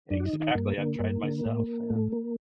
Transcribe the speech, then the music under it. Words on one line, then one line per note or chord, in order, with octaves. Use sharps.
Exactly. I've tried myself. Yeah.
F#2 D4
F#4
D#4
D#3
D#4
G2 A#3
D3 A#3
G2
D3
A2
A2 A3
A#3